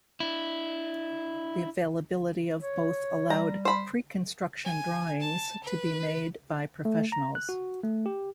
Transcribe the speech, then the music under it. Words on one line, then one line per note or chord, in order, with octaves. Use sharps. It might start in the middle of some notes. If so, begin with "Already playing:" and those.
The availability of both allowed pre-construction drawings to be made by professionals.
D4 E4
C#5
G3 A#5
C5 B5
G#5
A5
B4
A3
A#5
F#6
F#4
A3
G4